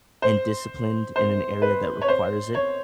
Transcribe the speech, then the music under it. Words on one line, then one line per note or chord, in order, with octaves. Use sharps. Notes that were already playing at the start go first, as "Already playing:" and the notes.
and disciplined in an area that requires it.
C5
C5
B4
C#5
C5
C#5